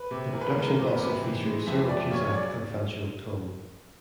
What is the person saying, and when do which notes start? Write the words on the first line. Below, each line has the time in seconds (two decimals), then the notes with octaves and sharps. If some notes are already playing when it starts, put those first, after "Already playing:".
The production also featured Cyril Cusack and Franchot Tone.
Already playing: B4
0.11 C3
0.33 E3 A#4
0.41 B4
0.50 A#4
0.56 G#3 B4
0.66 A#4
0.78 C3 C5
0.86 B4
0.95 A#4
1.00 C3 B4
1.23 E3
1.45 G#3
1.66 F2 E5
1.89 F2 D5
2.11 C#3 C#5
2.26 C#5
2.33 F#3 D5